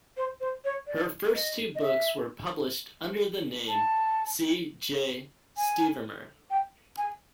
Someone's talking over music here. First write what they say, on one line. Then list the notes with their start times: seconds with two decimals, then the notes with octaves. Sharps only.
Her first two books were published under the name C. J. Stevermer.
0.17 C5
0.41 C5
0.65 C#5
0.87 D5
1.35 D#5
1.75 D#5
1.82 E5
3.69 A5
5.57 G#5
6.50 G5
6.98 G#5